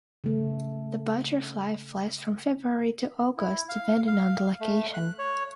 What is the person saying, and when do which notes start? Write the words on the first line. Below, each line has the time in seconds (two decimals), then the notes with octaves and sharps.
The butterfly flies from February to August depending on the location.
0.24 C#3 A3
3.37 E4
3.69 F5
4.07 F5
4.60 A3
4.94 F#6
5.19 C#5